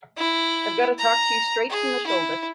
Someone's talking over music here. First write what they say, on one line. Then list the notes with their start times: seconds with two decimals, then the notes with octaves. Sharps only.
I've got to talk to you straight from the shoulder.
0.17 E4
0.99 A#5
1.70 G#4
2.07 E4